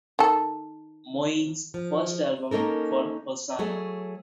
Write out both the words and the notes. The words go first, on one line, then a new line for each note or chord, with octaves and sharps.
Moen's first album for Hosanna!
D#3 A4
F3
A#3 C#4 D#4 A4 A#4
F#3 A3 G#4 C#5